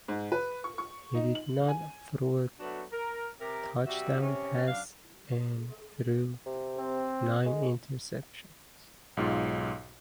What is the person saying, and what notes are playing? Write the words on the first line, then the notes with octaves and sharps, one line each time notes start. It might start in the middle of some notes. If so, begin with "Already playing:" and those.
He did not throw a touchdown pass and threw nine interceptions.
G#2
B4
C#6
C#6
D#4
F#7
G#5
F#3 A3 B3 D4 F#4
A#4
C3 G4 A#4
C3 G3 F#4 E5
C3 C#4
F#2 D4 F5
C3
C4
G#3
B1 G#2 F4